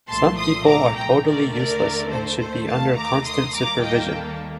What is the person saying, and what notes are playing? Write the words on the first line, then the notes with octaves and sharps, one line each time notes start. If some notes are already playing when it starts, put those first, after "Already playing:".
Some people are totally useless and should be under constant supervision.
C2 A#2 F3 A3 A5 C6
C6 D#6
A#5 D6
G5 A#5
D#2 D3 A3 A#4 D5
A#4 D5
A4 C5
D#2 D#3 A3 A4 C5
F5 A5
A#5 D6
C6 D#6
D#2 D#3 G3 A#3 A#5 D6
D#5 G5
A4